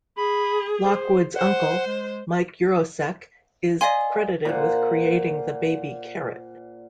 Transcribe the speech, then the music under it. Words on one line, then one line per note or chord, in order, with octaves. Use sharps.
Lockwood's uncle, Mike Yurosek, is credited with creating the baby carrot.
G#4 B5
C5
C5 F#5
G#3
D5 D#5 F5 G#5 C6
A#2 C5 F#5